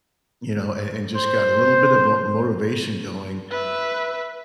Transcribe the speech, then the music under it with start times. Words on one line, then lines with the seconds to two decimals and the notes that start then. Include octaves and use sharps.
you know, a and just got a little bit of vo motivation going
1.16 C5
3.51 B4 E5